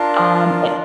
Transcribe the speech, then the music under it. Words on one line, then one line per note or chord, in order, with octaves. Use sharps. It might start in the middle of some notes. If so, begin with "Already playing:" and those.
um, and
Already playing: D4 F4 A#4 A5 C6